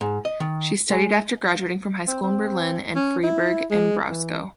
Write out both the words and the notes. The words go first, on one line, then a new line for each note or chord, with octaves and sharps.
She studied after graduating from high school in Berlin and Freiburg im Breisgau.
G#2
D#5
D#3
G#3
C4
C4
C#4
E4
G#3
E3